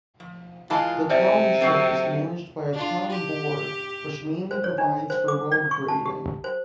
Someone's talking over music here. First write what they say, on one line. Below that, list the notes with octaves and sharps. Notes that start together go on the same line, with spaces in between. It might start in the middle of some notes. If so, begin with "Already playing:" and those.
The township is managed by a town board which mainly provides for road grading.
F3
E3 G#3 F4 A5
C3 C5 D5 E5
F#3 C4 A4
D4 F4
G4
C5
C#5
D4
C5
D6
D5
C#6
A5
G4
C5